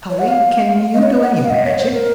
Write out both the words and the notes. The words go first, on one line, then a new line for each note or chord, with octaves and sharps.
"Polly, can you do any magic?"
C#5
F#5
F5
D#5
C#5
D#5
F#5
F#5
F5
D#5
C#5
C5
A#4